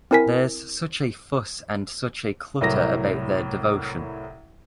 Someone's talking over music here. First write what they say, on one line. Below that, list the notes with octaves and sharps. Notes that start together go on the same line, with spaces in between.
There's such a fuss and such a clutter about their devotion.
C4 E4 A#4 G#5 B6
C2 A2 F#3 A#4 A#6